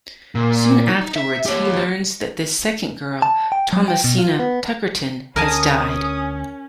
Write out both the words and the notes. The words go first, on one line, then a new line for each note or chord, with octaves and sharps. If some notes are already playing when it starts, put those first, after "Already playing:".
Soon afterwards he learns that this second girl, Thomasina Tuckerton, has died.
A#2
D#4
E5
G4 C#5
A5
G5
F#3
G5
B2
F4
B3
D2 C#4 A#4 G#5 A5 D#6